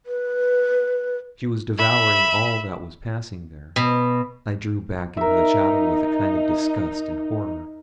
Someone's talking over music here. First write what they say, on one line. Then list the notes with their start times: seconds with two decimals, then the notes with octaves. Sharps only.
She was devouring all that was passing there. I drew back into the shadow with a kind of disgust and horror.
0.06 B4
1.78 E5 B5
3.76 B2
5.17 D#4 A#4 E5